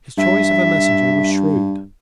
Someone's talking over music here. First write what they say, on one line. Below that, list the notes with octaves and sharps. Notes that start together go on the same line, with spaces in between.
His choice of a messenger was shrewd.
G2 E5